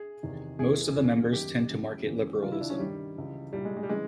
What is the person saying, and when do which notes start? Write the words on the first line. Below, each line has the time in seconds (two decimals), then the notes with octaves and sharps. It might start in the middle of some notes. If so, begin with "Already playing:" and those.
Most of the members tend to market liberalism.
Already playing: G#4
0.23 E2 C3 D#3
0.59 E2 C3 E3 G#4
0.96 D#2 C#3 E3
1.33 F#2 D#3 G4
1.69 F#2 C#3 E3
2.06 D#2 C#3 E3
2.42 C#2 C3 D#3 F4
2.52 E4
2.61 D4
2.70 C#4
2.79 G2 D#3 G3
3.16 C#2 C#3 E3
3.52 C2 A#2 G3
3.65 G#3
3.77 G#3
3.83 G3
3.89 C#3 E3 G#3